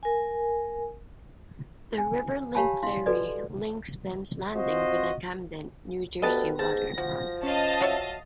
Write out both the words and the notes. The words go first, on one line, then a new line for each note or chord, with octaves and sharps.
The RiverLink Ferry links Penn's Landing with the Camden, New Jersey waterfront.
A#4 G#5
G#5
G4 C#5 F5 G#5 A5 B5
E4 F5 C6
F#4 A4 B4 D5 D#5
C4 F4 F#4 C5 D#5
D2 B3 G4 B4 D#5 A5
G#2 A5 A#6
F3 F#4
C#4 D#5 F5 A5
F#4 C#5 E5